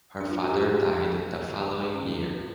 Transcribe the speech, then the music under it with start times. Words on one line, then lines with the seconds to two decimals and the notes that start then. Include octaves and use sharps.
Her father died the following year.
0.21 D4
0.31 F4
0.40 F#4
0.50 G4
0.64 G#4
0.78 G4
1.94 C#4
2.07 D#4
2.22 F4
2.33 F#4